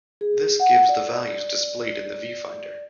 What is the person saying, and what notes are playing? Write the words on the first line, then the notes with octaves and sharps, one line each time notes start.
This gives the values displayed in the viewfinder.
G#4
F#5
D5